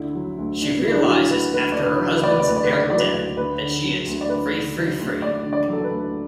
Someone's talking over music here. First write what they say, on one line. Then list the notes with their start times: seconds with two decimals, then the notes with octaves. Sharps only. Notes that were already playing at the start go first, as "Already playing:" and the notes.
She realizes after her husband's apparent death that she is "free, free, free".
Already playing: D2 D3 E4
0.15 F#3
0.38 D2
0.61 D2 D4
0.84 D3 E4
0.91 D4
1.00 E4
1.07 F#3 F#4
1.30 D2 B4
1.54 D2 B4
1.72 D3 D5
1.84 B4
2.00 F#3
2.15 B4
2.22 D2 D5
2.31 B4
2.40 D5
2.46 D2 B4
2.56 D5
2.64 B4
2.68 D3 D5
2.81 B4
2.90 F#3 D5
2.98 B4
3.14 D2
3.37 D2 B4
3.60 D3
3.84 F#3
4.06 D2
4.21 D5
4.29 D2 B4
4.53 D3
4.76 F#3
4.99 D2
5.22 D2 D5
5.45 D3
5.53 D5
5.68 F#3 A4
5.84 B4
5.91 D2